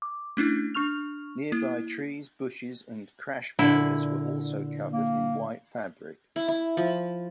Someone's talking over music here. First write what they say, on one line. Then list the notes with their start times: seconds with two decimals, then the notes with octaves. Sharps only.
Nearby trees, bushes and crash barriers were also covered in white fabric.
0.02 D6
0.37 A3 C#4 D4 E4
0.74 D4 C#6 F6 F7
1.52 A#3 E4
3.59 A#2 D3 E4
4.92 A#3
6.36 E4
6.48 E4
6.77 F3